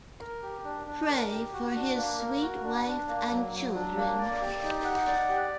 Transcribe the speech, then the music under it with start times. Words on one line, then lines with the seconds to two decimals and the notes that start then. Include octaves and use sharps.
Pray for his sweet wife and children.
0.21 A#4
0.42 G4
0.64 D4
0.87 D4
1.09 A#4
1.31 G4
1.53 F#4
1.75 D4
1.97 A#3
2.19 A#4
2.41 F#4
2.64 D4
2.86 D4
3.08 A#3
3.30 F#3
3.52 F#3
3.74 D4
3.97 A#3
4.18 D5
4.40 G4
4.62 D#4
4.84 F#5
5.07 D5
5.29 G4